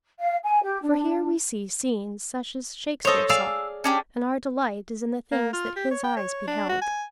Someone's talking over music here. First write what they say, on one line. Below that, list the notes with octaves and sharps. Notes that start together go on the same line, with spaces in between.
For here we see scenes such as Shakespeare saw, and our delight is in the things that his eyes beheld.
F5
G#5
G4
D4
A4 C5 C#5 D#5
G#4 D5 F5 E6
C#4 D4 G4
A#3
F4
G4
C#5
G5
C#5
D4
F#4
G#5